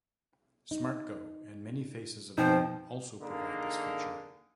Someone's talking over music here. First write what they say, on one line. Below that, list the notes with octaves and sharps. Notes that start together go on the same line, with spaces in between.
SmartGo and Many Faces of Go also provide this feature.
D#4
B2 F3 C4 D#4 C5 G5
D3 A#3 D#4 G#4